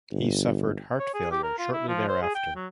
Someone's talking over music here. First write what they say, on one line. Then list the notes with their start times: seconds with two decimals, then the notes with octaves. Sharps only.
He suffered heart failure shortly thereafter.
0.11 G1
1.00 C#5
1.14 G#4
1.32 G4
1.43 A#4
1.59 F4
1.73 E4
1.88 F3
2.09 C5
2.22 G#4
2.35 G5
2.56 F#3